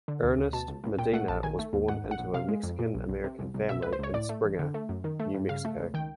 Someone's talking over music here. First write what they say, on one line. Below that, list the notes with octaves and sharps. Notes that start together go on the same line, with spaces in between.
Ernest Medina was born into a Mexican-American family in Springer, New Mexico.
D3
D2
D2
B2 A5
C#2
C#2
A#2 G5
A3 F#5
A#1 A5
D#3 G#5
A3
D#2
G#2 F#5
A#1
F#5
A#1
C3 F5
G#3
F2
A#2
B1
B1
C3
C2
C2
B2 E5
C#2 B4
C5
C#2 C#5
A2 D5
A3
A1
D3
A3
F#2
D#3
A3
G2
C#3 F5
A3
C#2
D#3 G5